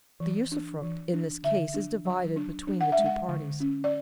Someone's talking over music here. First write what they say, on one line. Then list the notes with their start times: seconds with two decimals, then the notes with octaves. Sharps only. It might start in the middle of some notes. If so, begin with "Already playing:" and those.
The usufruct in this case is divided between the two parties.
0.20 E3
0.52 D4
0.82 E3
1.13 D4
1.43 D3 E5
1.74 D4
2.05 F#3
2.36 D4
2.67 D4
2.81 F#5
2.92 E5
2.98 G#3
3.06 F#5
3.28 D3
3.60 C#4
3.84 D5